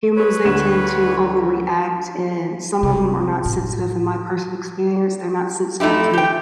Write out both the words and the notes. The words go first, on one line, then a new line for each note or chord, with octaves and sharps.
humans, they tend to overreact, and some of 'em are not sensitive in my person experience, they're not sensitive to
B4 C#5
D2 E7
C3
A2
F2 A3 D#4 E4 G4
G4 G5